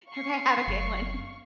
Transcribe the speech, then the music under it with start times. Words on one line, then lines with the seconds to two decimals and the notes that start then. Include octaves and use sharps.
Okay, have a good one.
0.10 F5 C#6 C7 C#7
0.67 F#1